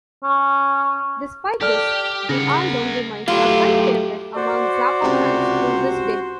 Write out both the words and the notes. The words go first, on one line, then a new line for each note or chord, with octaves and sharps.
Despite this, the album remains a cult favorite among Zappa fans to this day.
C#4
G4 A4 D5 F6
C#3 A#4 F#5
F#3 A3 E4 F4 G4
F#4 C5 D5
C#2 C3